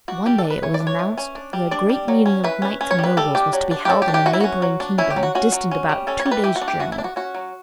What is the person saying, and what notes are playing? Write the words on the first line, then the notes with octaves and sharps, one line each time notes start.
One day it was announced that a great meeting of knights and nobles was to be held in a neighbouring kingdom distant about two days' journey.
D4 F#4
G3 G4
A4
D4
B4
E3 C#5
D5
D4
C#5
E3
C#4
D4
G3
D4 D5
G3
F#3
C#4
E3 B4
C#4
C#4
C#5
G3 B4
G3 A4
D4 G4
F#3
D4
G4
F#3 A4
G4
D4
G4
E3 F#4
E4
C#4 F#4
F#3
D4
C#4 E4
G4
F#3
F#4
C#4 F#4
F#3
C#4
G3
C#4 A4
C#5
G3
B4
E3 G4
F#4
D4
G4
E3 F#4
E4
D4
F#4
C#4 F#4
F#3